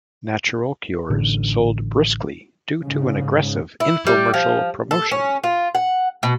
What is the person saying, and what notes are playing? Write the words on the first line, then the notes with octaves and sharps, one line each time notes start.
"Natural Cures" sold briskly due to an aggressive infomercial promotion.
A1 D3
G#2 C#3
E4
G3
F3
A4
C#4
F4
F#5
B2